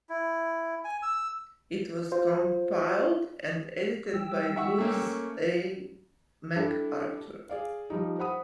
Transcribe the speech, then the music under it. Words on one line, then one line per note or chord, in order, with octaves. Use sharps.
It was compiled and edited by Lewis A. McArthur.
E4
G#5
E6
F4 C5
G3 G5 E6
E5 F#5 C#6
A3 A#3 C#4
G3 D4 E4 G4 A4
G#4 D5 F5
F3 G3 D#4
C5 F#5 B5 D#6